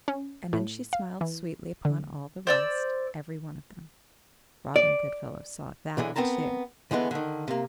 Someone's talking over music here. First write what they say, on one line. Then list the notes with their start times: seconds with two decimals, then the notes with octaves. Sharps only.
And then she smiled sweetly upon all the rest, every one of them. Robin Goodfellow saw that, too.
0.08 C#4
0.53 A2
0.93 F5
1.21 E3
1.85 D3
2.47 C5 D5 E6
4.76 D5
5.97 B1 D3 E3 G#4
6.16 B3 C4 A#4 A5 A#5
6.91 D3 E3 G#3 B3
7.11 D3 D#3
7.48 C3 A#3